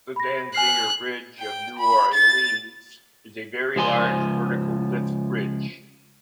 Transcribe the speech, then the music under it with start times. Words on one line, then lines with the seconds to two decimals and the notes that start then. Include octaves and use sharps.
The Danziger Bridge of New Orleans is a very large vertical lift bridge.
0.16 B5 A#6
0.54 G#5 F6 F#6 C7
1.39 G5
1.79 B5
2.14 A6
3.76 C#2 F3 G#5 C6